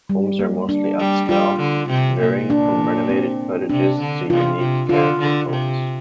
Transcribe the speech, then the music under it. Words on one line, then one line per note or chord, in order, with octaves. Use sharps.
Homes are mostly upscale, varying from renovated cottages to unique character homes.
G3
A#3
D4
G3
G3 F4
D3
C3
A#2
D4
C4
C3 D4
D3
C3 F4
C3
D3 F4
D3
C3